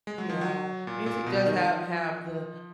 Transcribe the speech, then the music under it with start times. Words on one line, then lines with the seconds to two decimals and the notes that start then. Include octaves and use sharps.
Yeah. Music does ha have the
0.07 G#3
0.18 F#3
0.30 F3
0.41 F#3
0.87 A#2
1.06 A#2
1.26 B2
1.46 D#3
1.66 F3